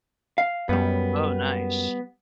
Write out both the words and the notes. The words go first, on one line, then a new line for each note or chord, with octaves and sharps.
Oh nice.
F5
F#2 G3 B3